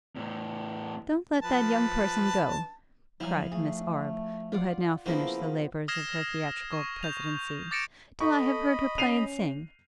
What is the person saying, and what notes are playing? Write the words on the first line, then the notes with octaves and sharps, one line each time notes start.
'Don't let that young person go,' cried Miss Arbe, who had now finished the labours of her theatrical presidency, 'till I have heard her play and sing.
E2 A2
F3 B4 A5
F3 F#3 E4 G#5
A3 G#4
F4 D5 F#5
C#3 F3 A#3 B3 E4
D#6 F6 G#6 A#6 C7 E7
C#6
G6 F7
D6 A6 A#6 C#7 D7 E7
A4 D#5 B5 C#6
C#4 C7 D#7 F7